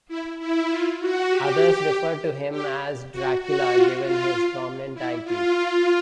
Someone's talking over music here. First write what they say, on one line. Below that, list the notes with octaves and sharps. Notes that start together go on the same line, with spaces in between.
Others refer to him as Dracula, given his prominent eye teeth.
E4
E4
F4
F#4
G4
G4
F#4
F#4
F4
F4
E4
F4